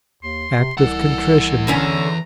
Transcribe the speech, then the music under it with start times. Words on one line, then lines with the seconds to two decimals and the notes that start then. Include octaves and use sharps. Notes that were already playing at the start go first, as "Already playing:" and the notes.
Act of Contrition.
0.23 D#2 C6
0.58 C3
0.77 C2 E3 A4 F#5
1.67 E2 D3 C#4 A#5